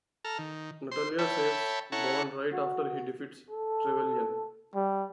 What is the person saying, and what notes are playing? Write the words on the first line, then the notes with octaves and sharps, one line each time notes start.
Natalya saves Bond right after he defeats Trevelyan.
A4 A#5 F6
D#3
C5 C6
C#5 E5 G5 A5 B5
C#4 E4 A4 F#5 A#5 C#6
F#4
A4
G3